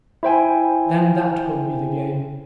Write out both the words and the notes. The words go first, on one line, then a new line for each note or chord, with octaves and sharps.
Then that will be the game.
E4 C5 G5 G#5